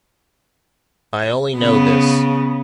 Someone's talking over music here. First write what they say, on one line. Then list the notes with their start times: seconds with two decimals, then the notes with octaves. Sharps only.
I only know this.
1.58 C#3 B3